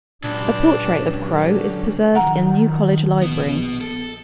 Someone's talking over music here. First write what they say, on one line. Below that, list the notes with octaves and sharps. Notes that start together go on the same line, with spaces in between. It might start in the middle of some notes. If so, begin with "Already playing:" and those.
A portrait of Crowe is preserved in New College library.
C#2 A#2 F#3 C#4 D4 G4
D3
D#3 F3 F#3 F#5 A#5
A#1 B2 B3
A4